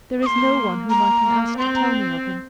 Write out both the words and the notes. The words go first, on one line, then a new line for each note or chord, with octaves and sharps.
There is no one whom I can ask to tell me of him.
A#3 C6 D#6
A#5
A#3
C4 C6
A#5